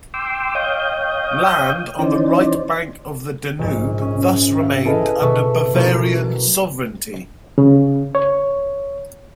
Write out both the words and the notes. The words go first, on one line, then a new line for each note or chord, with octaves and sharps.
Land on the right bank of the Danube thus remained under Bavarian sovereignty.
G5 C6 D6 E6
C#5 D#5 F5 G5 D#6 G6
E3 C#4 D#4 C5 D5
A#1 G#2
C#4
E5 F5
E4 G#4 A4 B4 D#5 F5
B2 A4 E5 A5 C#6
B2 F#3 A3 E4 F#4 A#4
C#3
C#5